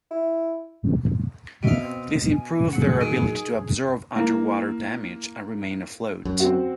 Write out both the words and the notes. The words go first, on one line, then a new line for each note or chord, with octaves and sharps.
This improved their ability to absorb underwater damage and remain afloat.
E4
B2 E5 F5
C4
G#5
A#2 F#3 G#4 F#5
D#3
A#3 E4
F#2
C4 F#4